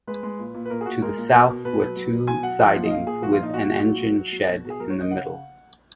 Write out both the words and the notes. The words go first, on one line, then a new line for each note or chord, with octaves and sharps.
To the south were two sidings with an engine shed in the middle.
G#3 B4
G#3
A#2
A#2
B4
A#2 A#4
G#4
A#2 F#4
G#3 A#4
A#2
B2
B2
B2 B4
F#3
F#3
F#3
B2 G#5
F#3 F#5
F3
A#2
D#5
A#2 F5
A#2 G#4
F3 F#4
F4
A#2 D#4
A#2 F#4
A#2
F#3
F#3
F#3
F#3
B2
B2
G#4
F#3 A#4
C#5
F#3
D#5
C#3 F#5